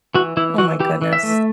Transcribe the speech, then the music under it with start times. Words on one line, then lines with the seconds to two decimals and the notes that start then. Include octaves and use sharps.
Oh my goodness.
0.15 E3 F#4
0.37 E3 E4
0.58 E3 F#4
0.80 E3 G4
1.02 E3
1.13 E5
1.23 A3